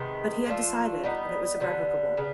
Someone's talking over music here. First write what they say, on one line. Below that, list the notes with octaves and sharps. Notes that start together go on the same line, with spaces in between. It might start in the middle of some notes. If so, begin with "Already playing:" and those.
But he had decided, and it was irrevocable.
Already playing: C3 D#3 G#3 B3
F3 A3 D4 F4
G3 B3 D#4
D3 G3 B3
C#3 B3